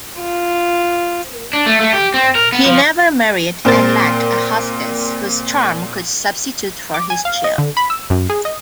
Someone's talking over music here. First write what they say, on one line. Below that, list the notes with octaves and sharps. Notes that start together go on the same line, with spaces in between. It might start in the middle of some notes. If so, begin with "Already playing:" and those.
He never married and lacked a hostess whose charm could substitute for his chill.
F4
D4
A3
A3
G4
C4
A#4
B3
F3
A#2 C4 A#4 C5 A6
D6
G#5
F5
D#5
D3
B5
E6
F#2
G#4
D#5